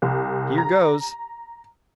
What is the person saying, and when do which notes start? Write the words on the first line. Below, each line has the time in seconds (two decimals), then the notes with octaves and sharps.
"Here goes!"
0.02 C2
0.58 A#5